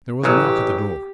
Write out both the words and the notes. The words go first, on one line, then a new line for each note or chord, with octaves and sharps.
There was a knock at the door.
A1 C#3 F#3 G4